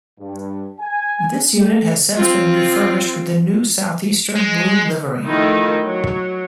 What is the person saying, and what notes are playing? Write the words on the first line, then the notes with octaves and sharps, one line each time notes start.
This unit has since been refurbished with the new Southeastern blue livery.
G2
G#5
A3
C4 F4
G#3
D#3 F3 A3 D#4 E4
F#3